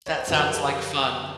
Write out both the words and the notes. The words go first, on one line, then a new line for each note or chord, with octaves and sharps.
That sounds like fun.
C#5
C5
F#2 D3 F3 B4
A#4
G4 A4